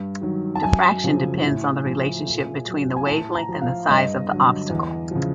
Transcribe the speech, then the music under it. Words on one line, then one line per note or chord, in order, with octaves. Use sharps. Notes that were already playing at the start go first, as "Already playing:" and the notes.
Diffraction depends on the relationship between the wavelength and the size of the obstacle.
Already playing: G2
D#3 F#3
A5
F#2 G#5
C#3 F3
A2
F3
A#2
F#3
G#5
A2 A5
A#5
F3
F5
G2 D#5
D3 F#3
E2
C#3 F3